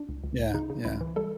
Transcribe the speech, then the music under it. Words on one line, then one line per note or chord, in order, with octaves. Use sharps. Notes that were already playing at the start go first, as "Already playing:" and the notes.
Yeah, yeah.
Already playing: D4
C#2
C#2
C#2
C#3 D#4
C#3
C#2 E4
E3
G3 A4